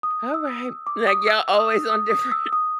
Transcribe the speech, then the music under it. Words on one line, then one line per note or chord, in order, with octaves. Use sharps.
"All right," like, y'all always on different
D#6
E6
D6
D#6
E6
D#6
D#6
D#6
E6
D#6